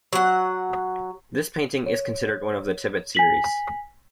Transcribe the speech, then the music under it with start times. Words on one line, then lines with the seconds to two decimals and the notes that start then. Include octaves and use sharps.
This painting is considered one of the "Tibet Series".
0.13 F#3 F#5
1.86 C#5
3.15 G#5 B6 F#7